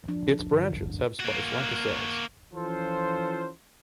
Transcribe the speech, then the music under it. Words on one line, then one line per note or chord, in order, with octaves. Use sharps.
Its branches have sparse lenticels.
F3 D4
G2 D3
A#3 F#4
E3 F3 C#4 F4 A4 C5